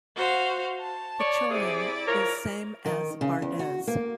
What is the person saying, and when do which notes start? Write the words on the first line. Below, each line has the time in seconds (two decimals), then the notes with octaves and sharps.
Bicholim is same as Bardez.
0.15 F#4 C5 F5
0.79 A5
1.20 C#5 D5
1.50 C3 E4 G#4 D5
2.07 F3 A#4 C#5
2.86 D#3
3.21 C#3
3.42 E2
3.59 F#4
3.87 A#3